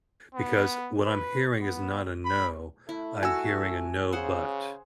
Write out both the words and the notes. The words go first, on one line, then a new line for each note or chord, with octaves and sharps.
because what I'm hearing is not a no. I'm hearing a no, but.
B3
B4
B3
B5
A3 E4
F#4 G#5 E6
C#3 G#4 C5 F#5